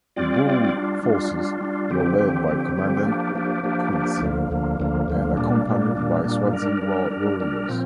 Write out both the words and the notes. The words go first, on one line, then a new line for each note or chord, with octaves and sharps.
The Boer forces were led by Commandant Coetzee and accompanied by Swazi warriors.
G3 C4 F4 D5
G3 C4 F4 D5
G3 D4 F4
G3 D4 F4
G3 D4 F4
G3 D4 F4
D3 F3 C4 G4
D3 F3 C4 G4
D3 F3 C4 G4
D3 F3 C4 G4
F3 A#3 D4 G4
F3 A#3 D4 G4
F3 A#3 D4 G4
F3 A#3 D4 G4
D2 D3 F3 A#3
D2 D3 F3 A#3
D2 D3 F3 A#3
D2 D3 F3 A#3
A#2 G3 A#3 D4
A#2 G3 A#3 D4
A#2 G3 A#3 D4
A#2 G3 A#3 D4
G3 D4 A#4
G3 D4 A#4
G3 D4 A#4
G3 D4 A#4
A#2 F3 C4